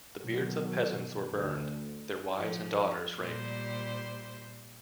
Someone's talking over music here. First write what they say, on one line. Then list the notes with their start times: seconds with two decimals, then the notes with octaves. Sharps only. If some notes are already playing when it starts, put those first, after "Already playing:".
The beards of peasants were burned, their wives and daughters raped.
0.19 B2 D#3 F#3
1.31 D2
2.35 F3
3.18 A#2 G3 C5